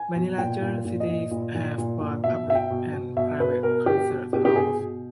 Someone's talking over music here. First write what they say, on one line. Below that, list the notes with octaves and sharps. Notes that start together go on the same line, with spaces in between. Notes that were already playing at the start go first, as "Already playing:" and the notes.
Many larger cities have both public and private concert halls.
Already playing: G#5
B2
A#2 G5
A#2
A#2
D#5
A#2
A#2
A#2
A#2
A#2
B2 E5
B2 E5
G5
B2
B2
B2 E5
B2 B4
B2 A#4
B2 G4
B2
B2 G4
G4
B2 G#4
B2